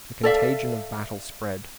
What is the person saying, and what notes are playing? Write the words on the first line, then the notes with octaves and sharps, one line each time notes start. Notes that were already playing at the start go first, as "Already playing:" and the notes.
The contagion of battle spread.
A4 D5 E5 F5